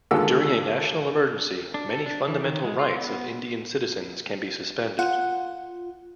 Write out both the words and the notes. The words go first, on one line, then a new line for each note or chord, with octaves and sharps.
During a national emergency, many Fundamental Rights of Indian citizens can be suspended.
D#2 D3 G#3 F4 A4 E6
D4
A4
D4
E3
D#3
G#3
F4
B3
F4 F#5